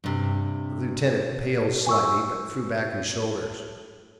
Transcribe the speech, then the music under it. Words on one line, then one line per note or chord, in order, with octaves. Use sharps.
The lieutenant paled slightly, but threw back his shoulders.
G2 C3
G#5 C#6 E6